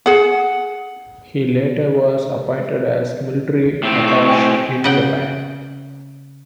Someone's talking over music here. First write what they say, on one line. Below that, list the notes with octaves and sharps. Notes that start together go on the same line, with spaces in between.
He later was appointed as Military Attache in Japan.
G#4 F#5
A2 C4
C#6
C5 G5 G#5
C#3 F#5 G5